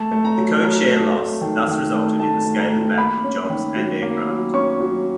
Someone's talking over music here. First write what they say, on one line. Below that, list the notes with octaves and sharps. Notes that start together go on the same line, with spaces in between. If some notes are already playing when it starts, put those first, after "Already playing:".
The code-share loss thus resulted in the scaling back of jobs and aircraft.
Already playing: A3 A5
A3
A#5
F#3
F#3 A#5
A3
A3
D#3
D#3
A3
A3 A5
A3
A#5
A3
A#3 B5
C#4
D#3
F#3
A#3
F#3
C#4 C#6
F#3